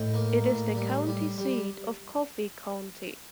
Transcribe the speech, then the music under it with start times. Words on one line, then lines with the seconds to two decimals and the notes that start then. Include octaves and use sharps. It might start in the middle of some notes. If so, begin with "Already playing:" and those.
It is the county seat of Coffee County.
Already playing: A2 D#5 G5
0.14 A#3
0.44 A2
0.75 G3
1.07 G3
1.38 G3